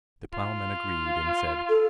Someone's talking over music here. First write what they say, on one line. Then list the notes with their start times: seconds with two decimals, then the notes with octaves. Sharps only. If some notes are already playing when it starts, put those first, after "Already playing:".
The ploughman agreed and said.
0.33 F4
1.69 A4